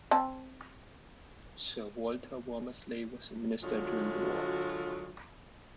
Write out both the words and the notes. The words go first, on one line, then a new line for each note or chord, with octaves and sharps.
Sir Walter Womersley was the Minister during the war.
C4 A5
D3 F#3 G#3 F4 F#4